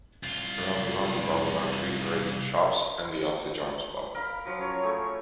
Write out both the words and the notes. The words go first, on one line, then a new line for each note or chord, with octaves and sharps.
Around the roundabout are three parades of shops and the Osidge Arms pub.
C2 F4
A#4 F5 B5
F3 F#3
C#4 C#5
A3 G#4 C#6